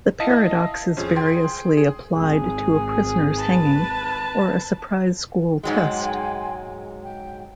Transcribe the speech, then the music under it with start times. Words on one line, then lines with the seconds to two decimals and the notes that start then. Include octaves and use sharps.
The paradox is variously applied to a prisoner's hanging, or a surprise school test.
0.20 E4 D#5 F5 A5
0.97 F2 C#4 G#4 C5
1.16 G5 C6 G#6
1.77 G#4
2.16 G#1 G#4
3.37 B4 A5
5.63 G#2 F#3 G#3 G5 G#5 C6
7.01 G5